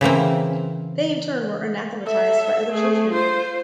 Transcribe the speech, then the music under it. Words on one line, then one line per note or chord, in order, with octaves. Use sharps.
They in turn were anathematized by other churchmen.
C#3 E3 A#3 C4
A4 E5
A3 G#4
F4 C5